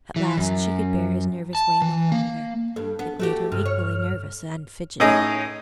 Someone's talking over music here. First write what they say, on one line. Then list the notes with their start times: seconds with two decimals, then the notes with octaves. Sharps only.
At last she could bear his nervous way no longer, it made her equally nervous and fidgetty.
0.16 E3
0.37 F#2
1.55 A5
1.82 E3
2.12 A#3
2.76 G2 A4
2.99 B3
3.19 A3 F#4 G4 A4
3.52 G2 C3 F6
3.65 C#5
5.00 A2 C#4 D#4 G#4 D#5